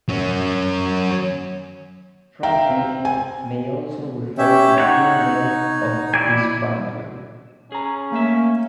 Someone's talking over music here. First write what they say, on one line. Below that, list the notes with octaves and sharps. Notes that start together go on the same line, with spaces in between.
Frontage may also refer to the full length of this boundary.
F#3 C#4
E5 F5 G5 A#5
C4
G#5
C#4 G4 E5
D#4 C#5 F#5
E4 D5 G#5
C#4 G#4 A#5
A3 A#3 E5